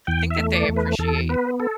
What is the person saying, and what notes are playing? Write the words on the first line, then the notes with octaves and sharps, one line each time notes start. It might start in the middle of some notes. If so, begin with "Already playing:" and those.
think that they appreciate
E2 G5
E5
A3
D5
E2
B4
E2 A4
B3 B4
A4